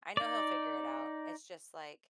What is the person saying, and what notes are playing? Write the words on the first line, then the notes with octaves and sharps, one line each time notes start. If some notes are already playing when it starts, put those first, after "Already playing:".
I know he'll figure it out. It's just, like
D#4 D5